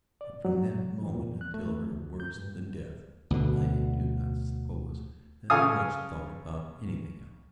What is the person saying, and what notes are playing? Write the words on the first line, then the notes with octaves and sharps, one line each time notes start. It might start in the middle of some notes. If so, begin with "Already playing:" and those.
But, from that moment until her worse than death, I do not suppose that I much thought about anything else.
D5
F#3
E3
A#2
F#6
A3
D2
G6
G2
D2 B2 D3
C#3 A4 F5 G#5 D#6